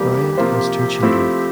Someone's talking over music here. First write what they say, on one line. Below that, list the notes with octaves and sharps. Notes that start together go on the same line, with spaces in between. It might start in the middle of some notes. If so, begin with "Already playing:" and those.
Bryant has two children.
Already playing: F2 E3 G3 A#3 G4
C3 F3 A#3 F4 C5
F3 A3 C4 E4